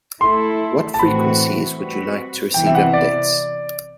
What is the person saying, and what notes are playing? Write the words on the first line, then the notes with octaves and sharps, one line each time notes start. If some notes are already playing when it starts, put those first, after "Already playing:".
What frequencies would you like to receive updates?
A3 E4 A4 C6
A5
A2 E3 A3 C4 F#4 B5
G3 C4 F#4 B4
C3 E3 B3 E4 G5
E5
F#5
D5